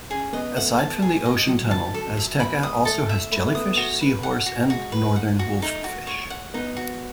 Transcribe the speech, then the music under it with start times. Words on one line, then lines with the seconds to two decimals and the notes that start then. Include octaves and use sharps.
Aside from the Ocean Tunnel, Azteca also has jellyfish, seahorse and northern wolffish.
0.10 C#4 G#4
0.33 B3 D#5
0.56 A3 F#5
0.78 A5
1.02 G#4
1.26 D#5
1.47 F#3 F#5
1.71 D#3 A5
1.94 F#3 A4
2.17 E5
2.40 B3 B5
2.63 G#3 D#6
2.85 A3 A4
3.09 E5
3.32 A3 B5
3.45 A3
3.55 B3 D#6
3.77 A3 F#4
4.01 B4
4.23 F#5
4.46 F#4
4.70 G#3 F#4
4.92 B4
5.16 F#5
5.39 F#4
5.62 A3 D#4
5.84 F#4
6.07 C#5
6.30 F#5
6.54 B3 D#4
6.77 F#4